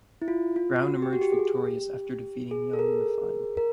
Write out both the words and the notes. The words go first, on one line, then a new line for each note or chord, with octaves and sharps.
Brown emerged victorious after defeating Young in the final.
E4
F4
F4
F#4
G4
F#4
G4
G#4
G4
G#4
A4
G#4 A#4
A#4